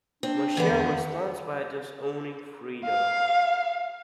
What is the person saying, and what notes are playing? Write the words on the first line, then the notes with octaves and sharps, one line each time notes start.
Michael responds by disowning Fredo.
C4 D4
D3 E3 B3
E2
D#3
F5